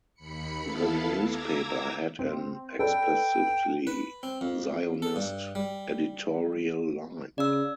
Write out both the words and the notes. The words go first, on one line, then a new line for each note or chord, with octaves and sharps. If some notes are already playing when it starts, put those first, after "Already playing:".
The newspaper had an explicitly Zionist editorial line.
D#2 B5 C#7
B3 E4 A4 F5 A5
A#5 D6 E6 G#6 A#6
C4
A4 B4 D5 G5
B4
C4
F2
A4
G2
G3
C#3 D5 E6